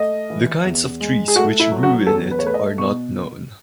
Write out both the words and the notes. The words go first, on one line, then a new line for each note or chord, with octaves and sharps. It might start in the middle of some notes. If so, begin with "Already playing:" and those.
The kinds of trees which grew in it are not known.
Already playing: A3 D#5
E3
E2
G#3
G#4
A3 F#4
E4
F#3
F#4
E2 A4
B4
C#5
A3 B4
D#5
B2 C#6